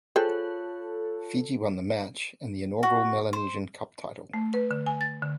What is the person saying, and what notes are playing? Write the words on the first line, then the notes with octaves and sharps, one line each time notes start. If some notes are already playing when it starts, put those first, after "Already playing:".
Fiji won the match and the inaugural Melanesian Cup title.
F4 G#4 A4 C5 C#5 G5 F#6
F#4
C5
A3
B4
D3
G#5
A6
D3